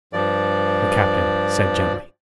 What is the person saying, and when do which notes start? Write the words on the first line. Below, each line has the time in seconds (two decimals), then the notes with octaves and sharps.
The Captain said gently.
0.13 G2 F3 D5